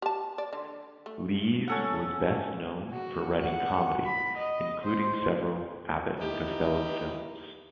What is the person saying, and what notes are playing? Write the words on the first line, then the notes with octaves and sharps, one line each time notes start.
Lees was best known for writing comedy, including several Abbott and Costello films.
G4 A5
D5
D3
A3
C#4 A4 F#5
F#4
F#5
B5
D#5
C5
D#4 E4 G4